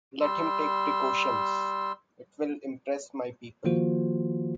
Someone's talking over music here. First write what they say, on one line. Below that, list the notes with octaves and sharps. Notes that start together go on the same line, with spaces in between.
Let him take precautions; it will impress my people.
G3 C6 E6
D#3 F3 A#3 F4 F#4 C5